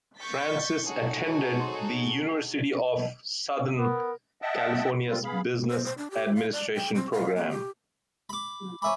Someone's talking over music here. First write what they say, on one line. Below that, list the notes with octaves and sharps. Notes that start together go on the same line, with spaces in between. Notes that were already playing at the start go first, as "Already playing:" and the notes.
Francis attended the University of Southern California's Business Administration program.
C#6 G6 A6 B6
D#4 F#4 G#4 A4 C#5
B3 A#4
D#5 E5 F#5 G5 A5
G3 C4 F4
B3 G#4 F5 B5
C5
C5
D4
G4
F5
D5
G5
C4
F5
A#3
G4
B5 D6
C#5 E5 G#5 A#5 B5 D6